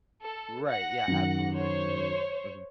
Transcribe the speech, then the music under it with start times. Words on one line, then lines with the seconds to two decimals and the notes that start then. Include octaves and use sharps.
Right, yeah, absolutely, mhm. Mhm.
0.22 A4
0.68 F#5 A#6
1.08 F#2 D#3
1.55 C5 C#5